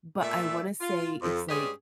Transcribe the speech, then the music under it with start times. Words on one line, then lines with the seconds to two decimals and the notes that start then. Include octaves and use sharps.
but I wanna say it's, like
0.21 A#2 A3 D5 E5
0.80 F4
1.21 F2
1.49 G2 G3 G#3 C#4 G4 G#4